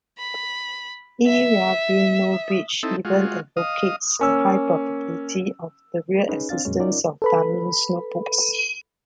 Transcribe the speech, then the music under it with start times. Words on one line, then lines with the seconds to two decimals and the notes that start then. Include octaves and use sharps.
E. Rabinovitch even advocates a high probability of the real existence of Damis' notebooks.
0.18 B5
1.27 E5
2.83 C4 D#4 E4 A4
3.05 G#3 F4 F#4
3.57 D#5 F5 D#6
4.19 A#3 C#4 E6
6.29 C#4 D#4 G#4 B4
6.49 C4 D4 F5 A6
6.65 F2 A#2 F#3 G#3 A#3 C#4
6.80 C#4 D#4 F4 A#4 D5
7.22 A4 B4 B5